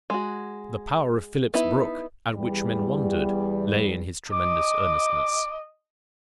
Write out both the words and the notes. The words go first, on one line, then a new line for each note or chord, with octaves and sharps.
The power of Phillips Brooks, at which men wondered, lay in his tremendous earnestness.
G#3 F#4
B3 D#4 E4
E2 G3
D#5 D6